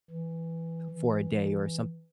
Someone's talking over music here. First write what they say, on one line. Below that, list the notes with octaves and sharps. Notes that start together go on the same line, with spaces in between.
for a day or something
E3
E3